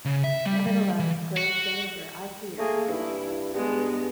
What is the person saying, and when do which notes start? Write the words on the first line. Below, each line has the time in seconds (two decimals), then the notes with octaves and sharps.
Nevertheless, grave danger I fear in his training.
0.05 C#3
0.24 E5
0.46 G3
0.67 G3
0.99 E3
1.37 F#4
2.58 A3 A#3 G#4
2.89 G2 E4
3.54 G2 G#3 B3